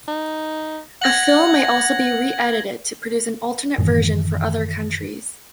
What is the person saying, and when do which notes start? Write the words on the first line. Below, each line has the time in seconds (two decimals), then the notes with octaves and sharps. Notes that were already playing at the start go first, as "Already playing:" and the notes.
A film may also be re-edited to produce an alternate version for other countries.
0.08 D#4
1.02 F#5 G#6 A#6 F#7
3.78 F#2 A2 D#3 E3